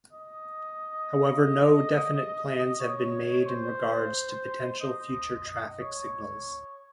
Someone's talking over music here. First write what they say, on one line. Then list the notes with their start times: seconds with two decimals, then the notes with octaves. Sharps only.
However, no definite plans have been made in regards to potential future traffic signals.
0.13 D#5
2.80 C#5
3.47 C5
4.81 D#5
5.48 D#5
5.81 C#5